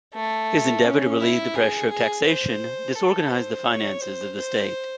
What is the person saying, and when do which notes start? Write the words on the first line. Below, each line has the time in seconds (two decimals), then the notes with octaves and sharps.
His endeavour to relieve the pressure of taxation disorganized the finances of the state.
0.14 A3
0.85 C#4
1.20 E4
1.55 G#4
1.91 G#4
2.25 C5
2.95 A4
3.31 C5
3.65 C#5
4.01 C5
4.36 C5